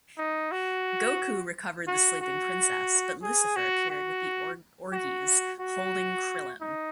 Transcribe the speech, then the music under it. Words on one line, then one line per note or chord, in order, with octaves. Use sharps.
Goku recovered the Sleeping Princess, but Lucifer appeared with the orges, holding Krillin.
D#4
F#4
F#4
F#4
G#4
F#4
F#4
F#4
F#4
D#4